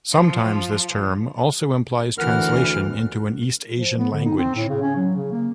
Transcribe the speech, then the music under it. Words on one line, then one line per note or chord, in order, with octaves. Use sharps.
Sometimes this term also implies translation into an East Asian language.
F3
D2 E3 A#4 F#5 F6
F3
B3
D3
D#4
C4
A2
C#3
C#4
F#3
C#3
A#3